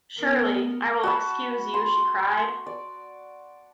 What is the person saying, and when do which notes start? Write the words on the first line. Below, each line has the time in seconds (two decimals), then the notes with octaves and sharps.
Surely I will excuse you, she cried.
0.17 B3 A#4
1.03 F#4 A5 B5
1.74 C6
2.66 D5